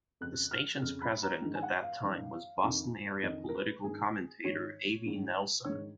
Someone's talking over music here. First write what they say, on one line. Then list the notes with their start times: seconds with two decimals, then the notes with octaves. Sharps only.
The station's president at that time was Boston-area political commentator Avi Nelson.
0.21 F2 C#3 F#6
0.51 F6
0.82 F2 C#3 F6
1.02 B5
1.23 A#5
1.42 G#2 D#3
1.55 G#5
1.63 F#5
1.82 F5
2.03 F#2 D#3
2.63 F2 D#3
3.23 F2 D#3 D#5
3.49 A#4
3.54 B4
3.84 G#2 D#3 G#4
4.44 G#2 D#3 C#5
5.06 G#2 D#3
5.65 G#2 D#3 C#5